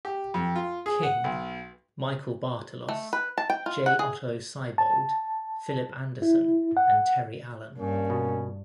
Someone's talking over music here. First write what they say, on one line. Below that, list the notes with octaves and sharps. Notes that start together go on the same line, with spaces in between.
King, Michael Bartalos, J. Otto Seibold, Phillip Anderson, and Terry Allen.
G4
F2
F4
G#4
F#5
B1
A3
B4
A5
G5
F4
F#5
G#4
A5
E4
F#5
G2 A#3 C#4
B2